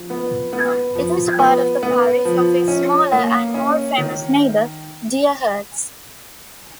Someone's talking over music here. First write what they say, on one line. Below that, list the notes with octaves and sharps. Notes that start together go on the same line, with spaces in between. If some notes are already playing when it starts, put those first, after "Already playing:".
It is part of the parish of its smaller and more famous neighbour, Deerhurst.
Already playing: F3
B3
B3
F3
B3
B3
F3
C#4
A#3
C#4
D#3